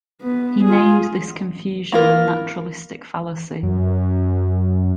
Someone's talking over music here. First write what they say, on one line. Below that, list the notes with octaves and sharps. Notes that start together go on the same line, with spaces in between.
He named this confusion the naturalistic fallacy.
B3
F4 G#4
A#3 E4 F4 A#4
F#2